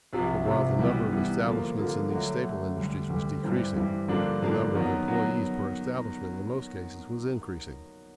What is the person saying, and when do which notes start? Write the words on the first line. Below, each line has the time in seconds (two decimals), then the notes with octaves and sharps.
But while the number of establishments in these staple industries was decreasing, the number of employees per establishment in most cases was increasing.
0.13 C2 C3 F3
0.46 C2 C3 F3
0.79 E3 G3 B3
1.12 E3 G3 B3
1.44 D3 F3 A#3
1.78 D3 F3 A#3
2.10 D3 F#3 A3
2.43 D3 F#3 A3
2.77 D2 D3 G3
3.10 D2 D3 G3
3.43 G2 E3 G3 C4
3.76 G2 E3 G3 C4
4.08 G2 D3 F3 A#3 D4
4.42 G2 D3 F3 A#3 D4
4.75 D#3 F#3 B3
5.08 F#3 B3